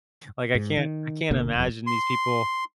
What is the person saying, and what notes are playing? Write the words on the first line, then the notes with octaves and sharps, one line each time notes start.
like, I can't I can't imagine these people.
G#2
D#3
G1 B2 D3 A#3
D#1 F2
C6